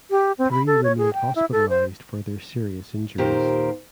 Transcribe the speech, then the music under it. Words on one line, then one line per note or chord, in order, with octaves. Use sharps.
Three remained hospitalized for their serious injuries.
G4
C4
B5
A4
C#5
G#4
G5
E4
A4
C5
D#2 A#2 G4 A#4 C5